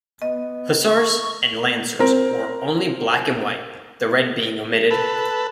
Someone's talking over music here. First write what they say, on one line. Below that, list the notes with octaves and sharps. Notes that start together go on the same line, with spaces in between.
Hussars and lancers wore only black and white, the red being omitted.
B3 D#5
C#6
C4 A#4
A4 B4